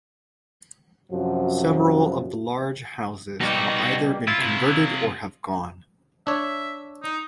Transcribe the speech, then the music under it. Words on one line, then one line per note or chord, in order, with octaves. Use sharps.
Several of the large houses have either been converted or have gone.
F#2 C3 F3 F#4
B2 G3 A#3 D#4 F#4
E4 F4
C3 F4
D4 C#5 E5
D#4